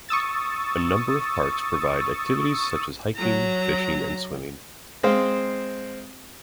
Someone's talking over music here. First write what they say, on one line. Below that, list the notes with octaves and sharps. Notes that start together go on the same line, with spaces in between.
A number of parks provide activities such as hiking, fishing and swimming.
C#6 D#6 E6 A6
F#3 A#5
G#3 C4 C5 F5